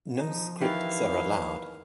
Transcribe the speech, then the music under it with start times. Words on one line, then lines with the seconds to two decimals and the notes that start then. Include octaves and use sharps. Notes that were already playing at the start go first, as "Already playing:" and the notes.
No scripts are allowed.
0.19 F3 D#4
0.61 D#3 E3 E4 G4 B4 F5